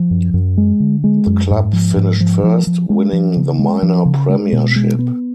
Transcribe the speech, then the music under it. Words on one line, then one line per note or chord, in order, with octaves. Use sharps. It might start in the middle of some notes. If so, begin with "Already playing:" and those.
The club finished first, winning the Minor Premiership.
Already playing: F3
F#2
F#2
G#3
D3
G#3
F#2
G#2
F3
G#2
F3
F3
F3
G#3
F3
C#3
G#3
F3
C#3
G#3
B2
G#3
B3